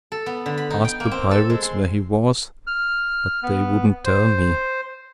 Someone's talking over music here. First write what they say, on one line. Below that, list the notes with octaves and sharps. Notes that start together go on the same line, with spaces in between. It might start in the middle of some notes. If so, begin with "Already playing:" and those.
I asked the pirates where he was; but they wouldn't tell me.
A4
B3
D3
B5
D#4
G5
A#3
C4
A4
G#3
C6
F6
B3
C5